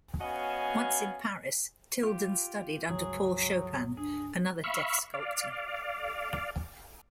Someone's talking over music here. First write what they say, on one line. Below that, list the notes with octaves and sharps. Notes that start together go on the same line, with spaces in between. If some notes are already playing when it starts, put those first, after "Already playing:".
Once in Paris, Tilden studied under Paul Chopin, another deaf sculptor.
B3 C#4 F#4 D#5 F5 G#5
F4 G4
G1 C#2 F#3 G#4
D4 G#4
E5 F5 B5 C#6
D5 F5